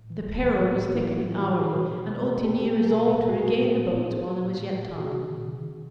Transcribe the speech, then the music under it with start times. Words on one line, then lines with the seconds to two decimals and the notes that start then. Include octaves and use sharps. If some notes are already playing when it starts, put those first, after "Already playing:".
The peril was thickening hourly, and Ottigny resolved to regain the boats while there was yet time.
Already playing: A2
0.10 E3
0.31 A2
0.52 E3
0.74 A2
0.95 E3 E4 F#4
1.16 A2 E4 F#4
1.38 E3 F4 G4
1.59 B2 F#4 G#4
1.81 B2
2.01 B2
2.22 B2
2.44 B2 G4 A4
2.65 B2 G4 A4
2.86 B2 G#4 A#4
3.08 B2 A4 B4
3.28 A#2 F#4 G#4
3.51 A#2
3.71 A#2
3.93 A#2
4.14 A#2
4.35 A#2
4.56 A#2
4.77 A#2
4.98 C3 F#4 G#4
5.20 D#3
5.41 C3
5.62 D#3